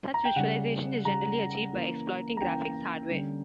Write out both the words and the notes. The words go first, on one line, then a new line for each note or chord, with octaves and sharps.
Such visualization is generally achieved by exploiting graphics hardware.
A#5
G5
C#3 G3 C#4 F#5
C#3 G3 C#4 A#5
E3 A#3 C#4
A#5
E3 A#3 C#4 G5
D3 G3 C#4